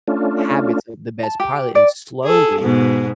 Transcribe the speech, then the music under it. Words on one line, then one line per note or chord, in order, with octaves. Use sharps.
habits of the best pilot, and slowly
A3 C#4 D4 F4
A5
G4
D5
G#4 A4
G#2 B2